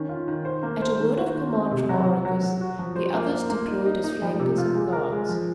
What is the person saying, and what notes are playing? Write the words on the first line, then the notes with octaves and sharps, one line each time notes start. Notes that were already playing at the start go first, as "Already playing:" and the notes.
At a word of command from Oracus the others deployed as flankers and guards.
Already playing: D#3 C#4
F4
D#3
C5
A#3
C5
D#3
F#4
D#3
C4
C3
F#3
F#3
F#3
F#3
F#4
F3
C5
A#3
A#3
A#3
D#4
D#4
D#4
F3
C3
F4
G#3
A#4
G#3
F3